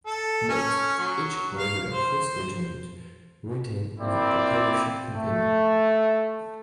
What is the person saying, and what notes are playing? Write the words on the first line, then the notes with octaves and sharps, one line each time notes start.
Note: each regular force regiment retains a parachute company.
A4
C#4
F#3
F5
C5
A#3 C4 E4 D5
A3